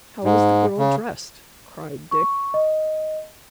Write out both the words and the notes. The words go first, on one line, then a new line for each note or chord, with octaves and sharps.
"How was the girl dressed?" cried Dick.
G#2
C#3
C#6
D#5